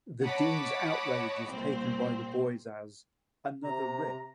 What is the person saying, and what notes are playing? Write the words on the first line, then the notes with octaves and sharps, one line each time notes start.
The dean's outrage is taken by the boys as "another rib".
C#5 D#5 F#5 A5 B5 D6
C2 A#2 C4 C5
C3 A#5